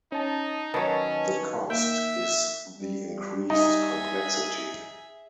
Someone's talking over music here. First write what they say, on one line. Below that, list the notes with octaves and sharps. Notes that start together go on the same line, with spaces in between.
The cost is the increased complexity.
C#4 D#4 A5
D#3 F#3 C#4 B4 D#5 A5
A#3 E5 G5
G3
D#4 G#4 E5